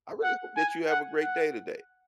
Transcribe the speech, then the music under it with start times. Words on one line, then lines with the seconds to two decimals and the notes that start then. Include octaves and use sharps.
I really hope that you have a great day today.
0.23 F#5
0.57 G#5
0.89 F#5
1.22 F#5